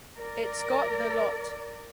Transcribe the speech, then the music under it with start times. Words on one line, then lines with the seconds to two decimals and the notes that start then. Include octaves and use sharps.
It’s got the lot.
0.17 A#4 D5